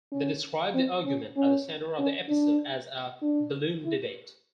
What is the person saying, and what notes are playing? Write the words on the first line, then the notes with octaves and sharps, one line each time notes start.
They described the argument at the center of the episode as a "balloon debate".
C#4
C4
C#4
C#4
C#4
D4
D4
E4